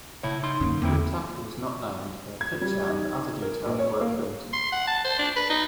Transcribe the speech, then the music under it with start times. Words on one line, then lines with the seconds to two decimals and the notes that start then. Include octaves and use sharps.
The attacker was not named but a picture and other details were printed.
0.23 C#3 E4 C#5
0.43 D#4 C6
0.61 F#2 D3 A#3 C#4
0.82 E2 D3 A#3 C4 E4
2.41 G#6
2.61 G3
2.89 D#4
3.42 A#4
3.65 A#1
3.79 C#5
4.01 A#3
4.53 C6
4.72 F#5
4.87 A5
5.05 C5
5.19 D4
5.36 B4
5.50 D#4